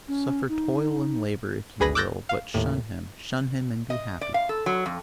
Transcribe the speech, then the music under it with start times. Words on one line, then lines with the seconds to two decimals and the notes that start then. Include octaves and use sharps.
Suffer toil and labour if you will, but shun him, shun him, and be happy.
0.08 C#4
0.49 D#4
1.80 G#1 D2 G#4 B4 B5 A#6
1.95 D6 E6 F#6 G6 A6 A#6
2.29 F5
2.54 D#2 A2
3.90 D#5
4.21 D5
4.34 F5
4.49 A4
4.66 F#3
4.86 F2